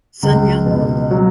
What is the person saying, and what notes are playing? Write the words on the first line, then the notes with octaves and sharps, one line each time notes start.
Sun Myung Moon.
C#2
B2
F#3